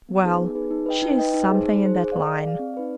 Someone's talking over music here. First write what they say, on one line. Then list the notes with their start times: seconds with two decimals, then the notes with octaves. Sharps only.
Well, she's something in that line.
0.09 B3
0.24 D#4 G#4 B4
0.40 B3
0.55 D#4 G#4 B4
0.71 D#4
0.86 B4 D#5 G5
1.02 D#4
1.18 B4 D#5 G5
1.34 D#4
1.49 G#4 C5
1.64 D#4
1.81 G#4 C5
1.97 G#4
2.12 D5 F5
2.27 G#4
2.43 D5 F5
2.59 C4
2.74 D#4 B4 D5